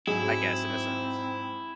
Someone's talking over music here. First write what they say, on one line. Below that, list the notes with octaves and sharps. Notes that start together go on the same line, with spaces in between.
I guess, in a sense.
G#2 F#3 C4 E4 G#4